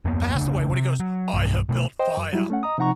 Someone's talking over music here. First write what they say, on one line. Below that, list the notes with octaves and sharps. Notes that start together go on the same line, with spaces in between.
passed away when he goes, "I have built fire."
F2 A#3 B3
F1 D2 C#3 D4
C3
F#3
B1 G2
B2 A3
C5 D#5 G5
F#2
F#3 G3 E4
A3 C#4 F#5
D#5 A#5 D#6
C3 F3 D#4 F#5 A#5 C#6